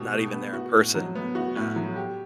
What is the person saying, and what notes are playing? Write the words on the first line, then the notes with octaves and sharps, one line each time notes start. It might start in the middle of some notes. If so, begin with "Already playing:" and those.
not even there in person, um,
Already playing: B2 G4
A3
B3
F#4
A2
F#3
B3
F#4
A2
F#3
G4